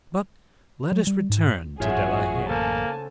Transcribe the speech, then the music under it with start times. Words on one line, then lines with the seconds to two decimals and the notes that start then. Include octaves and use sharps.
But let us return to De la Haye.
0.92 F#3
1.07 G3
1.29 G#2
1.80 A1 F#2 F4 F#4 G#4 C#5 E5
2.49 C#3 A#3 A4 C5 G#5 A5